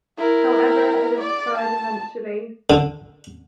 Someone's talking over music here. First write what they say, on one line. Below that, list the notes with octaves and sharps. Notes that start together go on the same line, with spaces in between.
However, it is tried eventually.
E4 A#4
D5
A5
D3